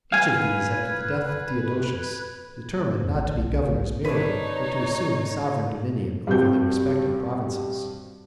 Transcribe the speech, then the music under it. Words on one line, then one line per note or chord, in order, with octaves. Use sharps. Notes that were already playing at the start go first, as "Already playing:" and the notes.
Each of these, after the death of Theodosius, determined not to be governors merely, but to assume sovereign dominion over their respective provinces.
B4 F5 G#5 G#6
F2
A1
B1
C#2
A#1
D4 D#4 B4 C#5
G2 C4 F#4 G6